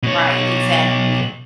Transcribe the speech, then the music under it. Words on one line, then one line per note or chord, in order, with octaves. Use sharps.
right, exactly.
B2 C#5